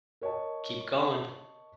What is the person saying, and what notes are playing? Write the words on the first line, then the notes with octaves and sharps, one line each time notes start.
Keep going.
A#4 C#5 D#5 A5